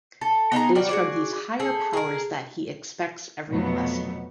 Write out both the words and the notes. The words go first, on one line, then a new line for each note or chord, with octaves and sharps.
It is from these higher powers that he expects every blessing.
A4
B3 D#4 G#4 A#5
G3 F4 F#4 D5
F#4 G#4 D5
G#4 A4
G#4 A#4
F2 B2 F#3 A3 B3